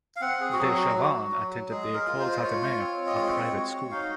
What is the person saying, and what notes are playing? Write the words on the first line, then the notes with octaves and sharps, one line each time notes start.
Dechavanne attended the Cours Hattemer, a private school.
F5
C4 F#5
G#4
F#4
F#3 G#4
F#4
F#4
F#3
G#3 G#4
A#4
F4
C5
C5
F4 C#5
C4
D#5
G#3 C#5
F#4
D#4 F5